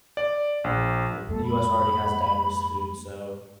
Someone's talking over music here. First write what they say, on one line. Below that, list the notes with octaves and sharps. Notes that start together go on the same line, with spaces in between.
eh, the US already has diverse food, so,
D5
A#1
F2 G#3 A#3 A4
B5